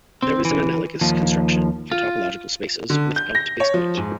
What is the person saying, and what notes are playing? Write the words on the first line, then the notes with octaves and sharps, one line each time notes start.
There is an analogous construction for topological spaces without basepoint.
C4
E3
D#2 F3
F4
D3
G6
A#6
C#5
F3
G#2